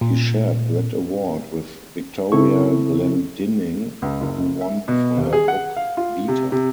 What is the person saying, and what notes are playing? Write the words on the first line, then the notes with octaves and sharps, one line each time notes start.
He shared that award with Victoria Glendinning, who won for her book "Vita".
A#2
C#3 C4 E4 A4 C#6
C#2
F#1
E5
B2
D#1
G#4
F#5
F5
F4
C3
C3